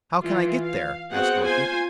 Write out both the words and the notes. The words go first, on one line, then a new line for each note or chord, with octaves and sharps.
"How can I get there?" asked Dorothy.
E3 F4
F5
B3 C4 F#4 G#4 F#5
F4 C5 G#5